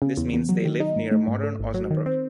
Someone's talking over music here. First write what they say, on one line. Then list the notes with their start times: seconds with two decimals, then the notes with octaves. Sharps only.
This means they lived near modern Osnabruck.
0.02 C#3
0.17 E2
0.33 E2
0.49 F#3
0.65 D#3
0.80 D#4
0.96 G#2
1.11 A3
1.28 G#2
1.43 A3
1.59 G#1
1.74 F#3
1.90 D#3
2.06 C4